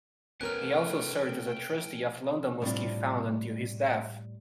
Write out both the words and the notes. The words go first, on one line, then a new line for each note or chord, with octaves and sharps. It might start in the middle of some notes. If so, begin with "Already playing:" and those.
He also served as a trustee of the London Mosque Fund until his death.
A3 B3 C#4 A#4 G5 G#5 F6 F#6
A2 G3 B3 C4 D4 F4